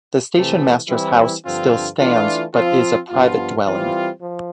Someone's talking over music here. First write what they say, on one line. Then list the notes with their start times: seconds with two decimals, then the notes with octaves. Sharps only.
The station master's house still stands but is a private dwelling.
0.34 C3 E3 A3
0.89 E3 G3 C4 E4
1.44 G2 D3 F3 C4 F4
1.99 E3 A3 D4 F4
2.54 F3 C4 F4
3.10 G2 F3 B3 F4
3.65 E3 G3 C4 F4
4.21 F3